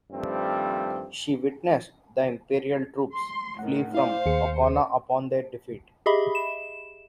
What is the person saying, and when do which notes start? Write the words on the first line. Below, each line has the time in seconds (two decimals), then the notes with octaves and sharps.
She witnessed the imperial troops flee from Aucona upon their defeat.
0.11 G2 D#3 F3 G3 A3 C4
3.14 C6
3.59 A2 D#3 F#5
3.94 E4 C5 D5 F5
4.26 D#2 G#4 C#7
6.06 G4 G#4 D#5 E5 B5
6.35 E7